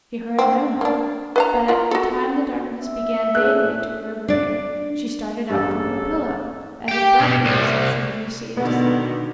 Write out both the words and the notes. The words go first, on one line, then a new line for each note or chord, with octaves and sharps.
She heard no knock, but at the time the darkness began vaguely to grow grey she started up from her pillow as abruptly as if she had received a summons.
D3 C4
A#3 D4
B4 F5 A#5
F4 A#4
F#4 A4
E5
A3 D4 G#4 F#6
D4 D5
A1 G2 C#3 A4
G4 G5
B2
C2
B2 D3 D#3 B3